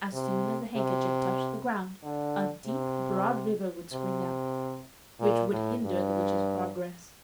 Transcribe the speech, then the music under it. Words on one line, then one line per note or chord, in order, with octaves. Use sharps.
As soon as the handkerchief touched the ground a deep, broad river would spring up, which would hinder the witch's progress.
C3
C3
D3
C3
C3
A#2
A2
G2